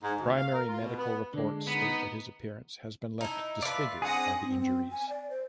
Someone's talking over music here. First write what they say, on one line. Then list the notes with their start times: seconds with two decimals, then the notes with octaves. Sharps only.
Primary medical reports state that his appearance has been left disfigured by the injuries.
0.03 G#2
0.20 D2
0.37 F5
0.53 A#4
0.69 F4
0.81 B2
0.98 B3
1.34 D3 G#3 D4
1.67 B3 D#4
3.21 D#4 E4
3.62 F4 B4 D5 E5
4.02 C4 D4 G#4 F#5 D#6 A#6
4.42 C4
4.61 C4
4.91 G#5
5.09 D5
5.30 C5